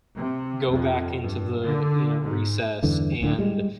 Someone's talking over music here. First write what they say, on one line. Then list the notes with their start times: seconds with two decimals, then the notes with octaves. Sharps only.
go back into the, you know, recess and,
0.16 C3
0.67 F2
1.21 G2
1.63 D3
2.22 G#2
2.83 E2 G2 D3 E3
3.21 D1 A2 D3
3.38 G3 G#3